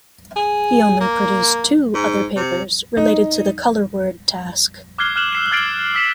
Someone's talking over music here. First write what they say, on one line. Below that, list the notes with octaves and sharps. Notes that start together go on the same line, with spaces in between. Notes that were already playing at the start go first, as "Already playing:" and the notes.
He only produced two other papers related to the color-word task.
G#4
A#3
G#2
C3
D#4
D6 F6 F#6 G#6 C7 G7
F6 F#6 E7 F#7
E6 C7 E7
F6 G#6 A6 C7 D7 F#7
E6 B6 E7